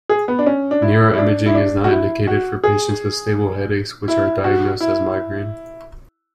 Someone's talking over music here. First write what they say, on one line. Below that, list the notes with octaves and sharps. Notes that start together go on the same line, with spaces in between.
Neuroimaging is not indicated for patients with stable headaches which are diagnosed as migraine.
G#4
B3
D4
C#4
D4
E4
E4
D4
E4
D4
F#4
E4
F#4
G#4
E4
F#4
E4